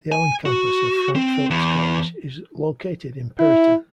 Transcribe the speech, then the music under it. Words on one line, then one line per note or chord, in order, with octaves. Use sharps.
The Allen Campus of Frank Phillips College is located in Perryton.
G#5
F#4
C4
E2
E4